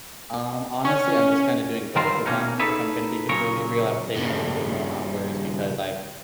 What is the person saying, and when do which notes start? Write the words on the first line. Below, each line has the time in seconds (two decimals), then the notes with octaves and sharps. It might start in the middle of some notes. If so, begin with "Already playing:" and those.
Um, honestly, I'm just kinda doing both of them. If I'm gonna be completely real, I'm taking a little bit more hours because I've
0.85 C#4
1.96 D#3 G3 C4 F4 A#4 C5
2.26 B2 A#3 C#4 D#4
2.60 D#4 G#4 A4 B4 C#5 E5
3.29 A#2 C#3 F#3 A#4 C#5
4.16 G2 C#3